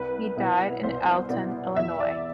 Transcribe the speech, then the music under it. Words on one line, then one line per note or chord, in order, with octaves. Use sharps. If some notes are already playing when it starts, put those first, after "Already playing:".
He died in Alton, Illinois.
Already playing: C2 B4
B2 B3 E4
C2 C5
B2 B3 E4 D5
E2 E5
D5